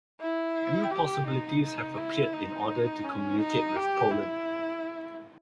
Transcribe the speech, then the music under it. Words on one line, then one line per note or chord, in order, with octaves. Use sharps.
New possibilities have appeared in order to communicate with Poland.
E4
G4
D#4
D#4
E4
D#4
C#4
D#4
G4
E4